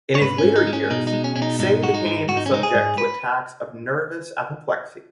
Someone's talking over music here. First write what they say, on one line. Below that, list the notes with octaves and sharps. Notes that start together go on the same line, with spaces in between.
In his later years Say became subject to attacks of nervous apoplexy.
C#5
G#2 B4
C#4
G#2
D#4
G#3
C#4
B2 D#4
D#4
G#3
C#4
B2 C#4
D#4
G#2 D#4
G#3 F#4
D#4
G#2
G#2 F#4
D#4
C#4
G#3 D#4
G#4
G#2
B4